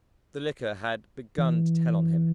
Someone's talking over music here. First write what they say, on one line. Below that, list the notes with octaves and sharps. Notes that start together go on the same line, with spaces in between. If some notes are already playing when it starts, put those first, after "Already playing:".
The liquor had begun to tell on him.
E3